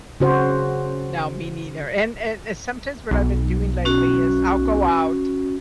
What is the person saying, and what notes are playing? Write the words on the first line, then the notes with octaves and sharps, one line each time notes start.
No, me neither, and and and sometimes what I've been doing lately is I'll go out,
C#3 F#4 C5
B1
C#4 F#4